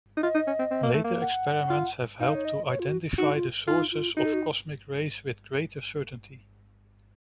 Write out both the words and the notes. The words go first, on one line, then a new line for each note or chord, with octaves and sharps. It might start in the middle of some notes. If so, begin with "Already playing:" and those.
Later experiments have helped to identify the sources of cosmic rays with greater certainty.
D#4
F4 D#5
D#4
C#4
C4
C4
A#3
A3
A#3
F#5
F4
D#4 F5
C#5
D#5
C#5
F4
F#4
D#4 F#4
F4
D#4 F4
F4
D#4 F#4
A4
F#4